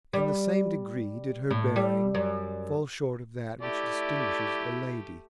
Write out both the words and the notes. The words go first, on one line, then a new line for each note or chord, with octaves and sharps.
In the same degree did her bearing fall short of that which distinguishes a lady.
G3
A2
G3
F#2
A3 E4 G4 D5